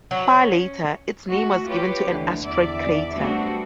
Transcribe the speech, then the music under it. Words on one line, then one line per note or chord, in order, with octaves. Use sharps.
Far later, its name was given to an asteroid crater.
F#3
C#4
A3 F#4
F4 G4 B4 C#5
D2 D3 E3
E2 D5 E5
G3 A3 B3 C4 D4 F#4